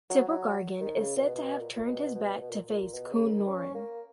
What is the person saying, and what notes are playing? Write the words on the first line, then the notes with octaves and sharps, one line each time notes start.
Tibrogargan is said to have turned his back to face Coonowrin.
F#3
F#3
D#3
C#3
B2
B2
A#2
A#2
B2
B2
B2
A#2
A#2
B2
C#3
D#3
C#4
A#3